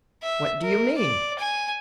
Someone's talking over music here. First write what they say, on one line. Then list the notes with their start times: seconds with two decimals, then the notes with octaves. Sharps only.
What do you mean?
0.23 E5
0.63 A#4
0.98 D5
1.39 G#5